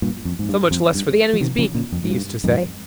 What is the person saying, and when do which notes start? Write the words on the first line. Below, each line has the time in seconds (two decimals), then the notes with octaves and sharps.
So much less for the enemy's beak, he used to say.
0.02 G2 A#2
0.25 F2
0.39 G#2
0.49 G2
0.71 F2
0.94 G2
1.33 F3
1.41 C3 D#3
1.58 C#3 F3
1.74 A#2 C#3
1.92 F2
2.04 G#2
2.10 G2
2.44 F2 G#2